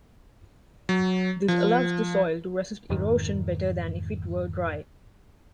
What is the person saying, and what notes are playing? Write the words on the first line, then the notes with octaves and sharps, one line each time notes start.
This allows the soil to resist erosion better than if it were dry.
F#3
F3
F2 G#2 D#3